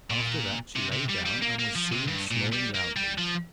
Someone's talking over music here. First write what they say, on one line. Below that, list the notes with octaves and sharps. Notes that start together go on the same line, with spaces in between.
After that she lay down and was soon snoring loudly.
A#2
C3
C3
G3
G3
A#3
A#3
F3
C3
G2
A#2
G3
A#3
G3
F3